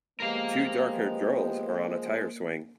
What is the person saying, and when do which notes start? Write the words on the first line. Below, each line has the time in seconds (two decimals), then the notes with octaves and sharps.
Two darkhaired girls are on a tire swing.
0.20 F3 G#3 A#3 B3 G4 A#4 F5